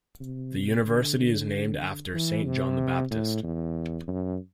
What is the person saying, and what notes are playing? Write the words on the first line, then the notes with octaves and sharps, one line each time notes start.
The university is named after Saint John the Baptist.
C3
D3
E3
C3
A2
E2
F#2